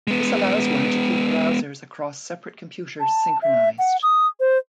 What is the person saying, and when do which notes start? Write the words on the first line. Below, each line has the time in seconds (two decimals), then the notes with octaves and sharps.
This allows one to keep browsers across separate computers synchronized.
0.07 G#3 B3
3.00 A5
3.42 E5
3.79 F#5
4.03 D#6
4.40 C5